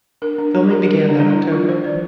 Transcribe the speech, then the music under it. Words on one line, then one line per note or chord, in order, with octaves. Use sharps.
Filming began that October.
D4 A#4
D4
G3 D4
A#4
G3 A#4
D4
G3 D4
E4
F3 F4
C5
F3 D5